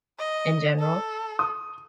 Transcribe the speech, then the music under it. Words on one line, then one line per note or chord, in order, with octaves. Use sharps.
in general,
D#5
A4
D#6